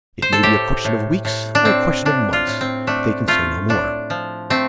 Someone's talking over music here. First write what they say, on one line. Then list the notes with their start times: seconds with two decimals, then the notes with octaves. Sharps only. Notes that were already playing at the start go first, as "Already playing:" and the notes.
It may be a question of weeks or a question of months, they can say no more.
0.22 C5
0.33 A4
0.43 A2 G4
0.84 A2
1.25 A2
1.55 D4
1.65 A2 C4
2.05 A2 D4
2.33 F4
2.47 A2
2.61 C4
2.87 A3 D4
3.28 A3 F4
3.69 A2 D4
4.10 F3
4.50 A3 C4